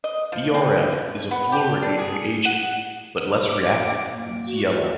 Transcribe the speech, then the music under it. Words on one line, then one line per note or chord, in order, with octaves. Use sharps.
BrF is a fluorinating agent, but less reactive than ClF.
D#5
F3
C4
B3
G4
D4
G#4
F#5
D6
A#3
F#4